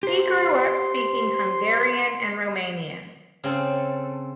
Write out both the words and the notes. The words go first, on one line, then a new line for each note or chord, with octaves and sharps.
He grew up speaking Hungarian and Romanian.
G4 C5 C6
C#3 C4 A4